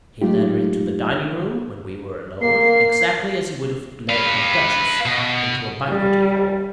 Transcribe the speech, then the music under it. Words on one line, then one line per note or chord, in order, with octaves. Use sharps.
He led her into the dining-room, when we were alone, exactly as he would have led a duchess into a banqueting-hall.
F#3 G#3 A3 D#4 F4 G4
A#3 C7
B4 F5
B2
G3